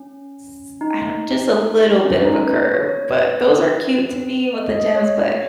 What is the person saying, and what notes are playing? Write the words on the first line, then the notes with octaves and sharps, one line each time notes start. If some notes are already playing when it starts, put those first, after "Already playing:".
s I don't just a little bit of a curve, but those are cute to me with the gems, but
Already playing: C#4
D#4
C#4
D#4
B4
C#5
C#5
B4
D#5
D#5
C#5
C#5